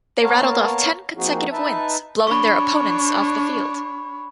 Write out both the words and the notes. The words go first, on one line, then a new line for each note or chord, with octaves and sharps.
They rattled off ten consecutive wins, blowing their opponents off the field.
A#3 B3 A#4 C#5 F5 A5
F3 A#3 C4 D#4 F#4 G#4
D#4 B4 E5 A5
D4 C#5 B5 C#6